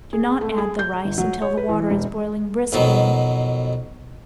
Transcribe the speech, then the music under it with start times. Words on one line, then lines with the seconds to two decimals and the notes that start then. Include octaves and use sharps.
Do not add the rice until the water is boiling briskly.
0.13 G#4
0.41 A3
0.58 G#4
0.79 G6
1.05 G1
1.18 F#3
1.42 C#5
1.57 B4
1.69 E3
1.91 E1
2.73 F2 B2 D#3 F#3 B3